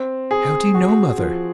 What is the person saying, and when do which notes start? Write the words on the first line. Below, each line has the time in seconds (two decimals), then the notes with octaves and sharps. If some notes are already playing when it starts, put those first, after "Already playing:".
"How do you know, mother?"
Already playing: C4
0.31 G#4
0.75 F#4
1.18 F3